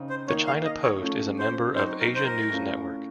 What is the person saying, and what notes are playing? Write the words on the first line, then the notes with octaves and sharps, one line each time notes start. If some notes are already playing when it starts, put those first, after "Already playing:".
The China Post is a member of Asia News Network.
Already playing: C#3 C4 D#4
C5
D#3 A#3 D#4 C#5
F5
D#5
C#5
F3 A3 C#4
C5
F#3 C4 D#4 F#4 C5
A#4
C5
A#4
A2 A3 C#4 F4